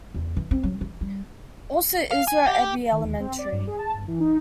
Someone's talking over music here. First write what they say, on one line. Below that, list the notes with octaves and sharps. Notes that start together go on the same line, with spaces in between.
Also Ezra Eby Elementary.
E2
E3
C4
F#3
E3
G3
F5
G#5
G4
D#3
D#2
C4
D5
G2
G#4
A5
G1
E3
D#4